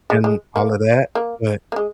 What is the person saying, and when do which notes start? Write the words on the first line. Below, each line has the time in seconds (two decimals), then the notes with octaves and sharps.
and all of that, but
0.10 G#3
0.24 G#3
0.56 A#3
1.15 A#3
1.72 A#3
1.76 G#3